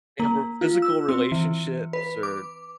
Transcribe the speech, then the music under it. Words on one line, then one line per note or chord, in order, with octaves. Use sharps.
they have more physical relationships or
A#3
F4
E6
C4
E3
B4
D6